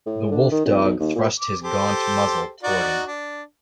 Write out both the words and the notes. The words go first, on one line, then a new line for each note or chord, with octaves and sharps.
The wolf-dog thrust his gaunt muzzle toward him.
A2
D3
D#3
F1
B1
D#2
A#2
D6
G4 A4 C5
D#4 F#4 D5
D4